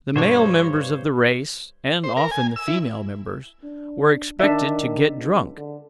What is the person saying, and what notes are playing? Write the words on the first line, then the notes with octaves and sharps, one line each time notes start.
The male members of the race, and often the female members, were expected to get drunk.
G2 B2 D4 C5 C#5
C5
A#4
G#5
E6
E4
D4
D#3 D4 E5
C#2
D3